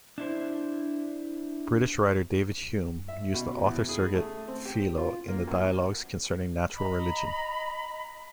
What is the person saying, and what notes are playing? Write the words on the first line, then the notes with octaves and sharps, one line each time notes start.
British writer David Hume used the author-surrogate 'Philo' in the "Dialogues Concerning Natural Religion".
D4 E4 C5
E5
B2
E2
G#4
A3
C4
G4
F4
A#3
F#2
D#5 A#5 B5